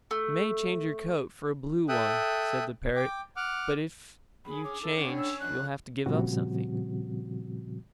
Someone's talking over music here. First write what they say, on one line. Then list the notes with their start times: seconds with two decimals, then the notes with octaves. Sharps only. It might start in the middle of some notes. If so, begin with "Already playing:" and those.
"You may change your coat for a blue one," said the parrot, "but if you change you'll have to give up something."
0.11 A3
1.89 A4 E5 G5 D#6 F#6
2.96 G5 D6
3.37 F#5 D6 F6
4.45 F#2 G#4 B5
4.64 C#4 D6
4.81 E4 A4 A#4
4.96 A2 D3 C#4 D4
5.18 E6
5.40 F2 B2 D4 F#6
6.06 A#2 C#3 F3 G3 C4 F#4